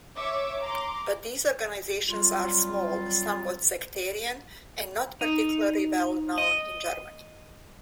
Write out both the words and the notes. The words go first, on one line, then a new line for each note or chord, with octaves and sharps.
But these organizations are small, somewhat sectarian, and not particularly well known in Germany.
C#5 E5 C#6 D6
A#5 C6 D6
F#3 G3 C4 F4
D#4
D#5